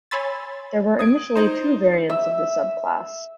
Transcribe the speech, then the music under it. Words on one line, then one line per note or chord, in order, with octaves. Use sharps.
There were initially two variants of this sub-class.
C#5 G#5 B5 C6 E6 A6
D#6 G#6 D7
D#4 C5
E5